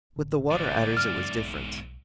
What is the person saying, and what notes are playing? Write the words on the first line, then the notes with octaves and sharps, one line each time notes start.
With the Water-Adders it was different.
A1 D3
E2 G#2 D5
F#2 C#3 F#3 F6
B1